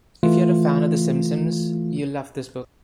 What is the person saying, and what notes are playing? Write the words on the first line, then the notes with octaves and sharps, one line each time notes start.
If you're a fan of "The Simpsons", you'll love this book.
E3 A3 F4